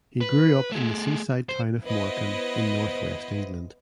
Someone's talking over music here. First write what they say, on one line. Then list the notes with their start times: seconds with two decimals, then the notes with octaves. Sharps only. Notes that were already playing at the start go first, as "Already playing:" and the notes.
He grew up in the seaside town of Morecambe in north west England.
0.21 B4
0.72 A3 G#4
1.49 C5
1.84 B3 E4 B4 C5 D#5